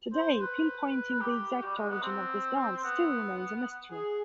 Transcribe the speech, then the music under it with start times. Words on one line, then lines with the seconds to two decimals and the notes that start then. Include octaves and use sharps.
Today, pinpointing the exact origin of this dance still remains a mystery.
0.13 C5
0.40 B4
1.21 G4
1.64 G3
1.76 G#3
1.90 B3
2.02 C4
2.84 B3
3.91 G#4